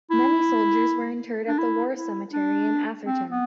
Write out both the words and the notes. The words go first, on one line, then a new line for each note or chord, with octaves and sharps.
Many soldiers were interred at the war cemetery in Atherton.
E4
D4
E4
E4
D4
C4
B3